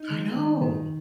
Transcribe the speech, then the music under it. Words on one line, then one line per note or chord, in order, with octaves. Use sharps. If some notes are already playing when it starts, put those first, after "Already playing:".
I know.
Already playing: D#4
G#3
D#3
D#3